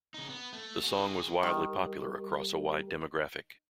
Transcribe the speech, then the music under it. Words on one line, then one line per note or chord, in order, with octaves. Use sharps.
The song was wildly popular across a wide demographic.
C#3 D#4
B3
A3
F#4 G#4
D#3 G3 G4 A#4